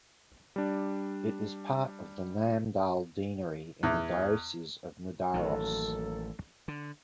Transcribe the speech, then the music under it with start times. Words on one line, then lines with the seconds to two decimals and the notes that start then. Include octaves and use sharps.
It is part of the Namdal deanery in the Diocese of Nidaros.
0.56 G3 D4
3.83 E2
5.34 A1 F#2 D#3 A#3 A4
6.68 D3